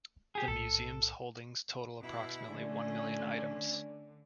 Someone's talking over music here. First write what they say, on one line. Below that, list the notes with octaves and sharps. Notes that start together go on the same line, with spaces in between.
The Museum's holdings total approximately one million items.
G4 G#4
B1 A2 A4
B2 E4
D3 A3 C#4 D4